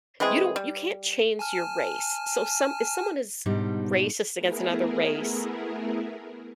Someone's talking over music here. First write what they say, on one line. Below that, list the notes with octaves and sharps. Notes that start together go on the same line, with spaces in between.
you don't you can't change your race, so, some if someone is racist against another race,
E3 G#3 C4 G#4
G3
G#5 A5 F6
G#2 B2 G3 D4 D#4
A3 B3 E4 G#4 A#4